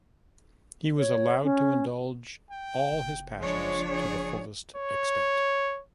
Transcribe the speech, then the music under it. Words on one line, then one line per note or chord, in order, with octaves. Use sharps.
He was allowed to indulge all his passions to the fullest extent.
C#5
C#4
G5
F#1
F3 G#3 D4 C#5
G#4
C#5